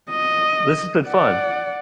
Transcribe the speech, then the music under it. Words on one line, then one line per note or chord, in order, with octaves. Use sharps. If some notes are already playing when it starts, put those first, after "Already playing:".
This has been fun.
D#5
D5 F#5